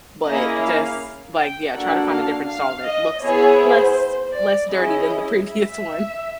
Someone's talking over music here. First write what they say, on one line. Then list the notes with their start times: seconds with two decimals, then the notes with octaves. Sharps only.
but just like, yeah, try to find a different stall that looks less less dirty than the previous one.
0.24 A#3 C#4 E4 G#4 D#5
0.61 F5
1.36 G5
1.73 A#3 D4 F#4 A4 F#5
2.10 F5
2.47 F5
2.85 D#5
3.22 B3 E4 G#4 C#5
3.59 C5
4.33 D5
4.70 C#4 E4 G#4 D#5
5.45 E5